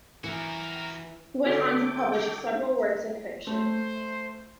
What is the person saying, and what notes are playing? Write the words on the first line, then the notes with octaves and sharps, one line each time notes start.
He went on to publish several works of fiction.
E3 F#4 A#4
D3 F#4 A4 G5 D6
A3 C5